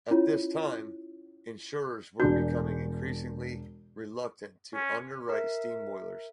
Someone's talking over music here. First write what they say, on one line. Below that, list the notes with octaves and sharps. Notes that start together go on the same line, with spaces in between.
At this time insurers were becoming increasingly reluctant to underwrite steam boilers.
C#4 E4 F4 C#5
E1 D4 F#4 G6
C#4
A#4 E5